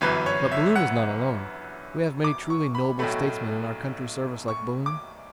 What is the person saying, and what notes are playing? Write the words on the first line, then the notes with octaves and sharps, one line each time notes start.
But Balloon is not alone, we have many truly noble statesmen in our country's service like Balloon.
G1 F#2 E3 B4
C#5
E5
F#5
D6
C#6
B5
B1 A2 F#3 A3 B5
C#6
D6